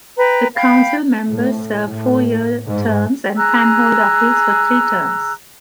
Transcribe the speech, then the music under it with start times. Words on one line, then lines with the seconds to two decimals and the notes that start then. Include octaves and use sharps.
The council members serve four year terms and can hold office for three terms.
0.18 B4 G5 A#5
0.55 F5 G5 B5
1.31 A2
1.87 A2
2.67 G#2
3.36 G#4 A#5 E6 F#6